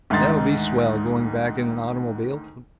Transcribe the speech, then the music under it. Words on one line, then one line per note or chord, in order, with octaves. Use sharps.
That'll be swell, going back in an automobile.
D2 G#2 D#3 D#4 C6 A6